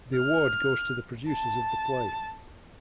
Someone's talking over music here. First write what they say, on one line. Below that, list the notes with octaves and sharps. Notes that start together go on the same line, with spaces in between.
The award goes to the producers of the play.
F6
A5